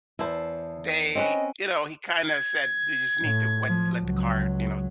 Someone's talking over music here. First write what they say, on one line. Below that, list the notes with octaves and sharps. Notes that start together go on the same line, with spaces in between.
They you know, he kinda said, they just need to what let the car, you know,
E2 E4 C5 A5
C4 C#4 B4 D#5
G#6
A2
F3
C#2 F#3